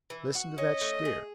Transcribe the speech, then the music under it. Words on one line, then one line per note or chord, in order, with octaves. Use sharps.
"Listen to that steer."
E3
F#4
C#4 D#5
A3
G#4